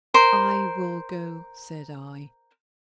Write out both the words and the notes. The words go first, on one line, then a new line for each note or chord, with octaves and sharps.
"I will go," said I.
A#4 C5 C6